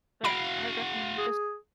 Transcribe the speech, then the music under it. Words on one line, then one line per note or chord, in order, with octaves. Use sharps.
But I would recommend just
F#4 F5 B5 D7
G#4